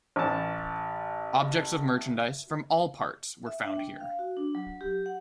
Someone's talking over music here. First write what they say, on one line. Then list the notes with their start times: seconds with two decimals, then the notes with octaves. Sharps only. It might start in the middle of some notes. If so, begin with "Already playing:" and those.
Objects of merchandise from all parts were found here.
0.16 A1 A5
3.46 E5
3.64 D4
3.77 G5
4.00 F5
4.19 F#4
4.37 D4
4.55 F#3
4.81 G4
5.06 F#5